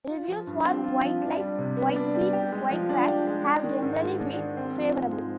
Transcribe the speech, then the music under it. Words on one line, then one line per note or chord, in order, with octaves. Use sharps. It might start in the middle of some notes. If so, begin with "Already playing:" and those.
Reviews for "White Light, White Heat, White Trash" have generally been favorable.
F4
F3
G2
C4
F4
F3
D4
G3
C3
B3
D4
G3
G4
G#3
F3
D4
G4
G#3
D4
D#3
G#2
G#3
D4
D#3
C4
F3
G#2
G#3